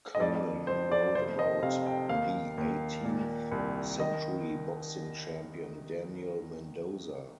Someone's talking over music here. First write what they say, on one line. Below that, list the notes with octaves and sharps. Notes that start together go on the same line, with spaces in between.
Cohen wrote about the eighteenth century boxing champion Daniel Mendoza.
D#5
F2 D5
F2 C5
D5
F1 C5
D#5
C3 F5
G5
D#2 F5
D#2
A#2
C2
D#3 D#5